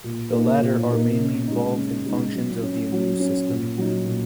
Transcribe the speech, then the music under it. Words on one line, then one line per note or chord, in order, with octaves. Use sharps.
The latter are mainly involved in functions of the immune system.
A#2
A#3 D#4
A#2
A#3 D#4
C#3
G#3 D#4
C#3
G#3 D#4
F#3
C#4
F#3
C#4
A#2
F#3 D#4
A#2